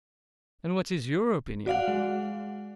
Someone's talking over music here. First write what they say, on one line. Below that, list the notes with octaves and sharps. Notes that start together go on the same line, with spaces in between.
"And what is your opinion?"
F#4 D5 F5 F#5
G#3